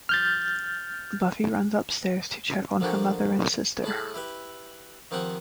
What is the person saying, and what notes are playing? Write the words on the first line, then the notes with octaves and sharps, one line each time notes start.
Buffy runs upstairs to check on her mother and sister.
F6 G6 A6
D3 F3 A#3 D4 F#4 G4
A2 G#3 A5 B5
E4 G4 B4 E5
D#3 F3 C4 G4 F#5 G#5